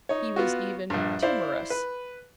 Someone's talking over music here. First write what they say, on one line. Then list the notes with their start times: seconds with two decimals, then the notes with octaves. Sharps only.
He was even timorous.
0.09 D#4 C#5
0.36 B3 F4 F#4
0.90 A#1 G2
1.22 E4 C5 D5 F5
1.70 B4